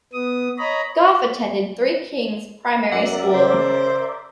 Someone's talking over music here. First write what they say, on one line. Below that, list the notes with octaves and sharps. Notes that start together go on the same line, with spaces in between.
Goff attended Three Kings Primary School.
B3 D#6
C#5 D#5 A#5 B5
F#2 A#4 D5 E5 F#5
C#3 C5